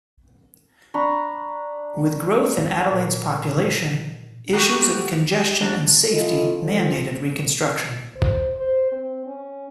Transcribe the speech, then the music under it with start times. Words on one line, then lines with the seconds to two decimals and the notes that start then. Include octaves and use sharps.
With growth in Adelaide's population issues of congestion and safety mandated reconstruction.
0.94 D4 A#5 B5 C#6
2.91 A#2
4.53 A3 F#4 G4
5.31 G4
5.61 F3 D4
6.13 C#4 E4 F4 A4 D#5
6.59 C#2 D3 F3
8.16 C5
8.54 C5
8.92 C4
9.26 C#4